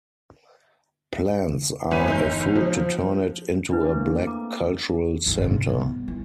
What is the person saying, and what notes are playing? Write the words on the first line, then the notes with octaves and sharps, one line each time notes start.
Plans are afoot to turn it into a black cultural center.
G1 E3 B4 G#5 B6 D#7
G1 D#4 G6
F3
D4 E4 B4
A3 A#3 C4
A#5 D6
G#1 F2
G#2 C3
G3 B3
E3